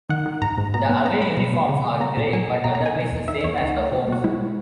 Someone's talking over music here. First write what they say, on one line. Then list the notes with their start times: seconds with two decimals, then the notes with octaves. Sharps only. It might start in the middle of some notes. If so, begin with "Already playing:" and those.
The away uniforms are grey, but otherwise the same as the homes.
0.09 D#3 F#5
0.26 D#3
0.42 G#2 A#5
0.58 G#2
0.74 B2 A#5
0.89 B3
1.05 B3 A#5
1.21 G#3 B5
1.37 B2
1.54 B2
1.69 C#3
1.85 G#3
2.00 B3 A#5
2.17 A#2
2.33 F#3 G#5
2.48 B2
2.64 B2 A#5
2.75 A#5
2.81 B2 G#5
2.96 D#3
3.12 E2
3.28 D#3 E5
3.44 E2 C#5
3.59 C#2 D#4
3.76 A#3
3.92 B2
4.08 B2 F#4
4.24 G#3 E4